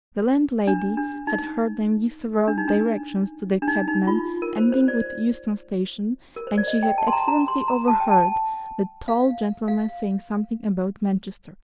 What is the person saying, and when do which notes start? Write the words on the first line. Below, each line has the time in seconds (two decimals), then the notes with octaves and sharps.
The landlady had heard them give several directions to the cabman, ending with Euston Station, and she had accidentally overheard the tall gentleman saying something about Manchester.
0.67 D4
0.97 D4
1.27 D#4
2.48 D4
2.58 D#4
2.68 D4
3.62 D4
3.68 D#4
3.88 D#4
4.07 F4
4.42 A#4
4.58 C5
4.72 C5
4.88 D5
6.36 A#4
6.47 C5
6.58 D5
6.67 D#5
6.83 G5
6.98 A5
7.07 C6
7.13 A#5
7.28 A#5
7.48 C6
7.68 A#5
7.88 A5
8.00 G5
8.11 A5
9.08 F5
9.68 F5